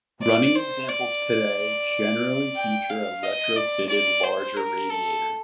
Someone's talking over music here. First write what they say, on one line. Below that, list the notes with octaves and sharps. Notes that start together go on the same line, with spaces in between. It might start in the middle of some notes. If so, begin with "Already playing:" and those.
Running examples today generally feature a retrofitted larger radiator.
D5
C5
D5
G5
F5
D#5
D5
D5
C5
A#4
A4